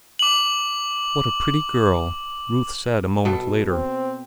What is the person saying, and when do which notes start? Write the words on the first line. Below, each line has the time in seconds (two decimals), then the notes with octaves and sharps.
"What a pretty girl!" Ruth said a moment later.
0.19 D6 F#7
3.25 B2 A4
3.70 C4